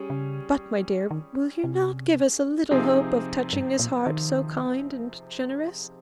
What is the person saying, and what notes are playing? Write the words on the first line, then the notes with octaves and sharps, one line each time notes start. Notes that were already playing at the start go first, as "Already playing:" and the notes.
But, my dear, will you not give us a little hope of touching this heart, so kind and generous?
Already playing: G3 C#4 G#4
C#3
D#3
C3
C3 F3 C4 D#4 G#4
G2
A#2
D#3